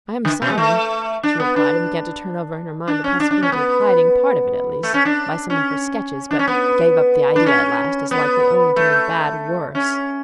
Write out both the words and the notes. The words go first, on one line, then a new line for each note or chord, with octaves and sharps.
I am sorry!' she replied, and began to turn over in her mind the possibility of hiding part of it, at least, by some of her sketches, but gave up the idea at last, as likely only to make bad worse.
D3
B2
G#3
A3
D4
B3
D4
D4
C#4
D4
D4
C#4
B3
A3
C#4
D4
C#4
D4
C#4
B3
D4
C#4
B3
A3
C#4